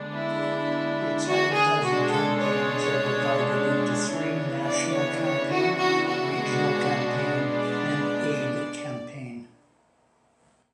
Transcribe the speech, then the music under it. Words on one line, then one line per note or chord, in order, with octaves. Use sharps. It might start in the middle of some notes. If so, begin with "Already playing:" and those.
Its advertising campaigns are divided into three; national campaign, regional campaign and aid campaign.
Already playing: D3 G#3 B3 D4
E4
F#4
G#4
B2 G#3 D4 F#4
A4
C#5
C#5
C#3 E3 B3 D4
D5
C#5
C#5
F#4
F#4
F#4
B2 G#3 B3 D4
D5